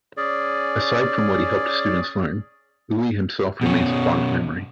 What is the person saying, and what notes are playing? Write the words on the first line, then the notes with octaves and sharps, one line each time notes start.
Aside from what he helped students learn, Uli himself remains a fond memory.
C#4 G#4 D5
B2 C#4